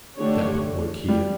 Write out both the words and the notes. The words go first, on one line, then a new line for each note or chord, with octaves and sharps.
That wouldn't work here.
D3 A3 D4 G4 C#5
G3